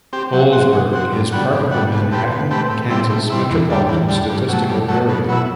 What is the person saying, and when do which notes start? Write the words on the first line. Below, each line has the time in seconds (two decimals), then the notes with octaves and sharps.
Olsburg is part of the Manhattan, Kansas Metropolitan Statistical Area.
0.13 C4 G4
0.33 F#3
0.53 C4 F#4
0.72 F#3
0.93 C4 F#4
1.12 G2
1.32 D3 G3 B3 F#4
1.52 G2
1.71 D3 G3 B3 F#4
1.92 B2
2.11 A3 C4 G4 B4
2.31 B2
2.51 A3 C4 G4 B4
2.70 A2
2.90 G3 C4 E4
3.10 A2
3.30 G3 C4 E4
3.50 E2
3.70 D3 G3
3.89 E2
4.09 D3 G3
4.29 G2
4.49 F#3 A3
4.69 G2
4.88 F#3 A3
5.09 B2
5.29 F#3 B3 E4